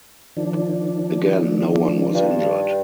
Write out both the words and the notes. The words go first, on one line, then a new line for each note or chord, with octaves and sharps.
Again, no one was injured.
D#3 F3 D4
G2